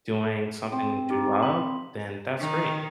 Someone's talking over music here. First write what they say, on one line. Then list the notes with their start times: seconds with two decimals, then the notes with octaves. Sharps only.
doing something that you love, then that's great.
0.72 C4
1.10 D#4 G4
1.43 B5
2.40 D#3